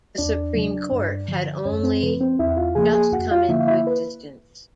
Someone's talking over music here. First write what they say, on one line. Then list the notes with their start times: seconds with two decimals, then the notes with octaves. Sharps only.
The Supreme Court had only just come into existence.
0.18 E2 D4 D5
0.55 C#3 F#3
0.92 G2
1.28 D3 F3
1.65 F#2 C#4 C#5
1.83 C4 C5
2.02 C#3 F3 B4
2.21 C4 C5
2.39 E2 E4 E5
2.49 F#5
2.57 F4 F5
2.75 C#3 F3 A#3 G#4 G#5
2.93 G#4 G#5
3.12 F2 F#4 F#5
3.31 F4 F5
3.49 D3 F3 A#3 E4 E5
3.59 F5
3.67 E4 E5
3.87 B4